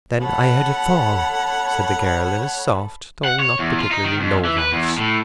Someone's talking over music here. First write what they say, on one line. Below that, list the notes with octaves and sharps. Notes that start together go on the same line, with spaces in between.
"Then I heard it fall," said the girl, in a soft, though not particularly low voice.
A4 C#5 F#5 B5
F#5
C#5
E2
F4
D#4
D#3
F2
E3
B4
E2
A2